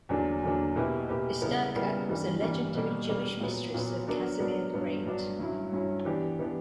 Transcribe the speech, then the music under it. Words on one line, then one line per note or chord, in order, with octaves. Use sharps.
Esterka was a legendary Jewish mistress of Casimir the Great.
E2 D3 F#3 A#3 D4
E2 D3 F#3 A#3 D4
B2 A#3 E4 G4 B4
B2 A#3 E4 G4 B4
C#3 G3 B3 E4 A#4
C#3 G3 B3 E4 A#4
G2 E3 G3 A#3
G2 E3 G3 A#3
B2 G3 A#3
B2 G3 A#3
A#2 F#3 B3
A#2 F#3 B3
F#3 B3 D4 A#4
F#3 B3 D4 A#4
G2 F#3 B3 D4
G2 F#3 B3 D4
G2 F#3 C#4 E4
G2 F#3 C#4 E4
E3 B3 D4 G4
E3 B3 D4 G4